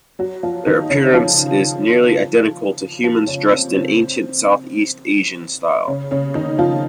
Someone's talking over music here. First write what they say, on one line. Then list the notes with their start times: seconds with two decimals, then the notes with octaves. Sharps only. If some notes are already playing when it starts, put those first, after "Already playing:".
Their appearance is nearly identical to humans dressed in ancient Southeast Asian style.
0.19 F#3 F#4
0.43 F3 F4
0.67 D#3 D#4
0.90 C#3 C#4
1.14 F3 F4
3.04 F3 F4
3.27 C#3 C#4
3.50 C4
3.74 C4
5.87 C#3 C#4
6.11 C#3 C#4
6.35 D#3 D#4
6.58 F3 F4